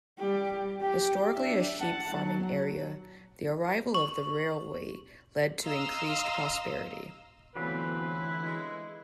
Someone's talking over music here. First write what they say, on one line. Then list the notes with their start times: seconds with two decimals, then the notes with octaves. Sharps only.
Historically a sheep farming area, the arrival of the railway led to increased prosperity.
0.19 G3 G4
0.81 G4
1.34 D4 E5
1.80 F#5 A5
2.15 F#3
3.94 C#6
5.65 D#5 F5 A#5 C6 E6 F6
7.56 D3 E3 F#3 A3 B3 C4 F4 B4
8.05 E4
8.45 G#3